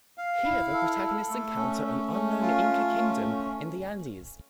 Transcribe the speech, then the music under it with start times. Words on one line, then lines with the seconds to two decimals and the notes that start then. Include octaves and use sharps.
Here the protagonists encounter an unknown Inca kingdom in the Andes.
0.18 F5
0.45 E4
0.73 A4
1.01 A4
1.29 A3
1.58 C#4
1.85 A3
2.12 C#4
2.41 F4
2.69 A3
2.96 C#4